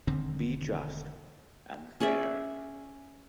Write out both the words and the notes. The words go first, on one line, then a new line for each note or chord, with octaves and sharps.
Be just and fair.
E1 D3 D#3 C4
C#4 G#4 D5 E5